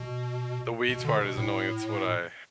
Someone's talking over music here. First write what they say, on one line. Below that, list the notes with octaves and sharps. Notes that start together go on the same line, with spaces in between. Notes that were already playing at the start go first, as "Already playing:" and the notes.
the weeds part is annoying. It's what I
Already playing: B2
B2
D3
B2
A2